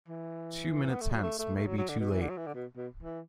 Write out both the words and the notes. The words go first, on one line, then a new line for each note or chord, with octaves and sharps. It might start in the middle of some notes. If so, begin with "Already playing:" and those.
Two minutes hence may be too late.
E3
B3
A3
F#3
A3
A3
A3
F#3
F#3
D3
B2
E3
D3
F#3
E3
D3
B2
B2
E3